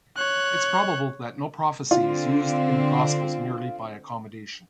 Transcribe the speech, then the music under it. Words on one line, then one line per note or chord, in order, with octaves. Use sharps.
It is probable that no prophecy is used in the Gospels merely by accommodation.
C#5 F#6
D3 C4 F4